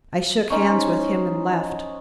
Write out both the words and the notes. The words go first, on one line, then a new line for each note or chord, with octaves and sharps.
I shook hands with him and left.
C#4 D#4 C5 C#5